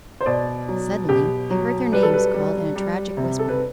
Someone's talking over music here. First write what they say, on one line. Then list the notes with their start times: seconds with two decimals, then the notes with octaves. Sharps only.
Suddenly they heard their names called in a tragic whisper!
0.21 C5
0.26 B2 D5
0.68 F#3
1.09 B2 G4
1.50 F#3
1.92 G3 B4
2.03 A4
2.14 B4
2.34 G3
2.76 G3
3.17 C3
3.39 A4
3.49 B4